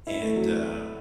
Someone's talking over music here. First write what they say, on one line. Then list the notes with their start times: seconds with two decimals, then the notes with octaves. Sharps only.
and, uh
0.07 E4
0.22 A3
0.36 F#3